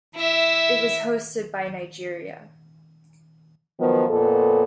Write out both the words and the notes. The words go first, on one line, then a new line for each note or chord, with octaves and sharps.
It was hosted by Nigeria.
E4 E5
D#3 F3 F#3 B3
F2 A#2 B3 A4